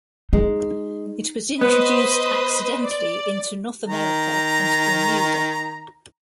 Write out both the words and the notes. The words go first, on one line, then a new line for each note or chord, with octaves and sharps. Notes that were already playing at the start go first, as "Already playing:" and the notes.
It was introduced accidentally into North America and Bermuda.
G#3 D#4
B3 B4 C5 D#5
D5
D#3 A#5